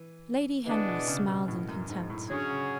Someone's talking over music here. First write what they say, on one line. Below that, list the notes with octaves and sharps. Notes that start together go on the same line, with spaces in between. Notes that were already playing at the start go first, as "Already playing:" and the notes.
Lady Henry smiled in contempt.
Already playing: E3
D3 E3 G#3 B3 D4
B2
C#3
B2
A2
F#2
G#2
A2
D3 F#3 C#4 G#4
C#3